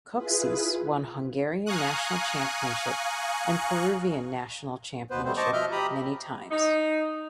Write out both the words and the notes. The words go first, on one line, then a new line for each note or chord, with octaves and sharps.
Kocsis won Hungarian national championship and Peruvian national championship many times.
E4 F4 G#4 B4
F5 G#5 A#5 C#6 D#6 F#6
D#2 B2 B3 B4 C5
G3 A3 B3 C4 C5
C5 D#5 A5 C#6 D6
B2 F3 D#5 E5 F6 G6
G4 A#5 B5 D#6
D#4